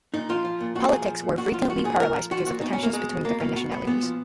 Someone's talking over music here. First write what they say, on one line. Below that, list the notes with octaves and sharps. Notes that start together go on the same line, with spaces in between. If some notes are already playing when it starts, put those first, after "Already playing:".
Politics were frequently paralysed because of the tensions between different nationalities.
A#2 D#4
F3 F4
F3
A#2
A#2 F#4
F3 G#4
F3
A#2
A#2 F#4
F3 F4
F3 F#4
A#2 G#4
A#2 A#4
F3
F3 F#4
A#2 F#4
B2 D#4
C#4
B2 A#3
B2 G#3
B2
B2 A#3
B2 A#3
B2 F#4
B2 B3
A#2 B3
F3